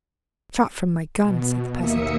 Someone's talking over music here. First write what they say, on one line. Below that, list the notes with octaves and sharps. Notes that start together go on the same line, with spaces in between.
"A shot from my gun!" said the peasant.
B2
D#2 A#3 E5 D#6 C#7